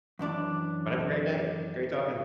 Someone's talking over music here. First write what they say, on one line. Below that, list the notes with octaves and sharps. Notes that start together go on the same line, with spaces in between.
But have a great night. Great talking.
F#2 E3 D4 D5